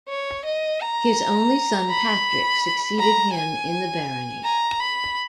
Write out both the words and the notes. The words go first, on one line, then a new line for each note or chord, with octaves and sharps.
His only son Patrick succeeded him in the barony.
C#5
D#5
A#5
B5
A#5
G#5
A#5
B5